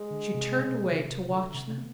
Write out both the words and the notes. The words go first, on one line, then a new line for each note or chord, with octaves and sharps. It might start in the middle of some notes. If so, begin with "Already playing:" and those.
She turned away to watch them.
Already playing: G#3
D3
C3
B2
D3
C3
D3 A3
C3
A3
B3